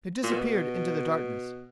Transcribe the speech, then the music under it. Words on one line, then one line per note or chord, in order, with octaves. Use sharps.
They disappeared into the darkness.
A#2
B2